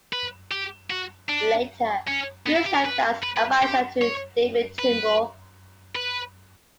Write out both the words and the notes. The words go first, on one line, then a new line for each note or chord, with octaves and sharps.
Later, Bew served as an adviser to David Trimble.
B4
G4
F#4
D4
C#4
B3
E4
G4
A#4
B4
B4
B4
G4
C#5
B4
B4